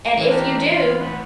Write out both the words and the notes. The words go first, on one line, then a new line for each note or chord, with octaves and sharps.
and if you do,
E3 A#3 C4 D#4
D4 G4 A#4
F4 F5
A2 B4 C5 F#5